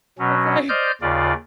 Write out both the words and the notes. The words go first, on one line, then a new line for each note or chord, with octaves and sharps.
It's like,
B2 F#3 C#4
C5 D5 D#5 F6 G6
D#2 C#3 F4 D5